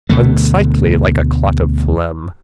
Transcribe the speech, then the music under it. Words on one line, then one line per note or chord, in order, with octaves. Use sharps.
Unsightly like a clot of phlegm.
D2 B2 D3 A3